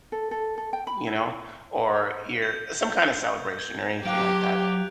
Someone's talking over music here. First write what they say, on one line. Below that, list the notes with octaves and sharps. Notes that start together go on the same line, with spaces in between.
you know, or you're some kind of celebration or anything like that.
A4
A4
A4
G5
B5
E4
G6
G6 G#6
F#3 G4 F5 F#6 D7
F7